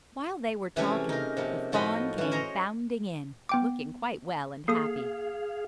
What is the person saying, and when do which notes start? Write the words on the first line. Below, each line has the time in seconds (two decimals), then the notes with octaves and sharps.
While they were talking, the fawn came bounding in, looking quite well and happy.
0.76 C3 E3 A3 C#4 G4 G#4
1.09 D#4 A#4
1.37 C3 F3 A#3
1.72 A2 F3 D#4 F#4 D#5 B5
2.18 E3 C#4
2.31 C5 C#5 D#5 G#5 A#5
3.49 B3 G5 D6
4.68 A#3 G#4 A4 F5 D#6